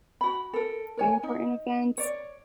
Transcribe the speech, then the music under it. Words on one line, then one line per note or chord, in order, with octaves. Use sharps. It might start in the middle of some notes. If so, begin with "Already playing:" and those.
during important events?
F#4 B5
A4 A#4
A#4 C#5 G#5
D#4
C#5 D5